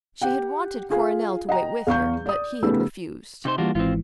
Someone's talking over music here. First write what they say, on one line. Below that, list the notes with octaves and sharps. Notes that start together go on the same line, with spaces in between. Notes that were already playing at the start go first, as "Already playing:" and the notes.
She had wanted Coronel to wait with her, but he had refused.
G4 F#5 G5
F4 G#4 F5
D#5 F#5 G5 A#5
E2 F5 C#6 G6
D5 D#6
C#3 A3 B3 D#4 G4 E6
C3 D#4 C5
E3 G3 A#3 D4 F4 F#4
G#1 G#2 E3 C4 F4